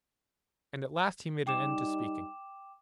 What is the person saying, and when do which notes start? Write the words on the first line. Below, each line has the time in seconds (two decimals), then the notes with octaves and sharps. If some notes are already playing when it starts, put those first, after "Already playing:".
And at last he made an end to speaking.
1.47 G3 D#4 G5 D6 E7